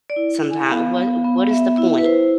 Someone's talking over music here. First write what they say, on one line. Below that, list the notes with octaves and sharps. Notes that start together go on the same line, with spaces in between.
sometimes. What what is the point?
D5
E4
E4
G#5
B3 F5
B3
B3
B3 E5
E4 E5
B4
E4 C5